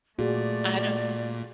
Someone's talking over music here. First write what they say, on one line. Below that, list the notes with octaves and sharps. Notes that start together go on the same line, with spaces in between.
I don't
A#2 A3 F#4 G#4 D5